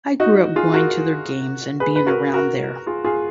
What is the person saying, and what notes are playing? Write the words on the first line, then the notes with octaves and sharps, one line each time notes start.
I grew up going to their games and being around there.
D#4 F#4
F4 G#4
F#4 A#4
G#4 B4
B4
F#4 A#4
F#4 A#4
F4 G#4
F4 G#4